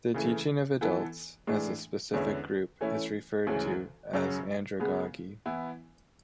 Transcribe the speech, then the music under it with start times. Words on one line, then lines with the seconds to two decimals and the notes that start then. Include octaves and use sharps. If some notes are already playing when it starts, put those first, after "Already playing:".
The teaching of adults, as a specific group, is referred to as andragogy.
0.14 C#3 E3 A3
0.81 E3 B3 E4 A4
1.47 A2 E3 G#3 D4
2.13 E2 D3 G#3 C#4 E4
2.81 E3 A3 C#4 E4
3.47 D2 C#3 E3 G#3 C#4
4.13 F#2 C#3 F#3 C#4
4.80 C#3 G#3 B3
5.46 E3 B3 E4